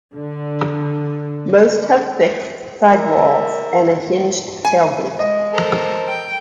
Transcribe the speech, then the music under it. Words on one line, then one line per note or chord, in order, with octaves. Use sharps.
Most have fixed side walls and a hinged tailgate.
D3
A#4 E5
G#5
G#3 D#5
A4 A#4 C5
G5